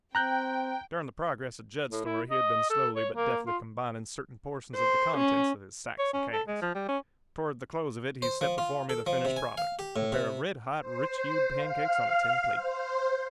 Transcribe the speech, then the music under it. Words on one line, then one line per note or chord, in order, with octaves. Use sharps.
During the progress of Jud's story he had been slowly but deftly combining certain portions of the contents of his sacks and cans. Toward the close of it he set before me the finished product--a pair of red-hot, rich-hued pancakes on a tin plate.
C4 G5 A#5 F#6 G6
A2
E4
D#5
A4
C#5
A#3
F4
C5
C#4
C#5
C#4
A4
G#3
F3
G3
C#4
C5
F3
F4
A4
F3
C3
G#5
F5
G4
A2
C3
C5
F5
C5